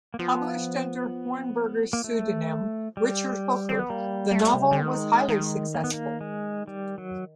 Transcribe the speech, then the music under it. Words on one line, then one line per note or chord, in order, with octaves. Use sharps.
Published under Hornberger's pseudonym, Richard Hooker, the novel was highly successful.
A#3
F3 B3
A#3
A3
F#3 G3
A#3
A3
B3
C4
B3
G3 A#3
A#3
A3
C3
C#3
D3 G3
D#3 G#3
D#3
A#3
B3
A#3
G#3
G3
F#3